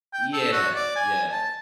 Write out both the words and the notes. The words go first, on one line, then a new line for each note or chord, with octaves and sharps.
Yeah. Yeah.
G5
A4
F#4
D5
G#5
A5